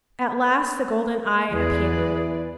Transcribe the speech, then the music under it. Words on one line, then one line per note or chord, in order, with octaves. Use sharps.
At last the golden Eye appeared.
E2 E3 G#4 B4 D5